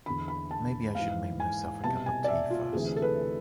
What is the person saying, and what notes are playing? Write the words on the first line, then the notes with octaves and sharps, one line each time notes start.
Maybe I should make myself a cup of tea first.
E2 D3 B5
B5
A5
G#2 E3 F5
G#5
C2 B2 A5
G#5
D5
E5
F4
D2 C3 E3 G#4
A4
B4